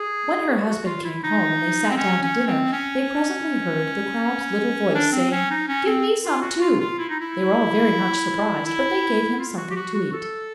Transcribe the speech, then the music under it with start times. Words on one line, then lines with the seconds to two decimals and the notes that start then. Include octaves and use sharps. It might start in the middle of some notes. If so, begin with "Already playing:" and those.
When her husband came home and they sat down to dinner, they presently heard the Crab's little voice saying, 'Give me some too.' They were all very much surprised, but they gave him something to eat.
Already playing: G#4
0.50 F#4
0.69 F#4
0.86 F4
1.05 E4
1.23 D#4
1.91 C4
1.97 C#4
2.23 C#4
2.47 C4
2.73 C#4
4.95 D4
5.12 C4
5.32 C#4
5.51 D#4
5.68 C#4
5.87 C4
6.24 F4
6.42 F#4
6.62 F4
6.80 F4
6.99 E4
7.10 D#4
7.20 E4
8.65 E4
9.40 F4
9.58 F#4
9.71 G4
9.76 F#4
9.95 F#4
10.13 A4